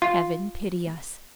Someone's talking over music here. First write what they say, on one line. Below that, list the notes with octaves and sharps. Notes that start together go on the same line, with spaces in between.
Heaven pity us!
F4